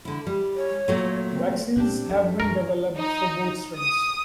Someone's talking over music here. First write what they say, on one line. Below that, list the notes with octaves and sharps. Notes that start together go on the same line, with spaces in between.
Vaccines have been developed for both strains.
D3 E4
G3
C#5
A#2 F#3 A3
C4
A#2 C4 D4 G4 A5
F#2 E3 A3
G2 G#4 A#4 C#6
D#4
D#6